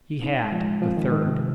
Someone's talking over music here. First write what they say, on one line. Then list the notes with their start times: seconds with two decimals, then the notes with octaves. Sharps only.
He had--the third.
0.21 C4 D#4
0.41 G#3
0.52 F3
0.62 G#3
0.82 F3 C4
0.97 D#3
1.02 G#3
1.12 D#3
1.22 C3 C4